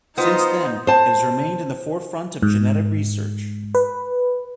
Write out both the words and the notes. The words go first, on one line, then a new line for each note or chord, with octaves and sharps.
Since then, it has remained in the forefront of genetic research.
B3 D#4 F4 C5
C5 A5
G#2
B4